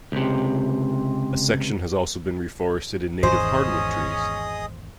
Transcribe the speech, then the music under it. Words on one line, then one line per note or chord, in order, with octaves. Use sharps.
A section has also been reforested in native hardwood trees.
C#2 C3
G#1 E2 G#2 C#4 G#4 C5 D#5 D#6